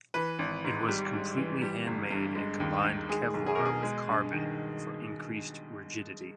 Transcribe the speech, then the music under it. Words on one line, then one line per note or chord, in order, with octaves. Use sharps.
It was completely handmade and combined Kevlar with carbon for increased rigidity.
E3 B4
G#1
G#2
G3
G#2
E3
G3
G1
G2
G#3
D#2
D#3
G#3 G#4
B1
G#4
B2 A#4
G#4
G#3
G2
D#3